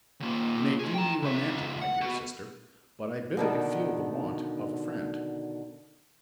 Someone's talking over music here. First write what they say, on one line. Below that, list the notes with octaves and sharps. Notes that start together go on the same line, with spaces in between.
You may deem me romantic, my dear sister, but I bitterly feel the want of a friend.
D#2 A#2
A3 G#4
G5 A#5
C#2 E5
F#5
B3 F#4
B2 D3 D#3